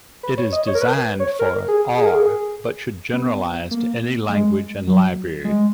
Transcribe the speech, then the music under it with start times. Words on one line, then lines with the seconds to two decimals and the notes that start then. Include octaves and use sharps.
It is designed for R but should generalize to any language and library.
0.23 B4
0.37 C#5
0.52 D#5
0.67 C#5
0.75 A#4
0.81 B4
1.20 C#5
1.39 A#4
1.68 G#4
1.97 G#4
2.06 A#4
2.14 G#4
3.13 B3
3.71 A#3
4.29 G#3
4.87 F#3
5.45 G#3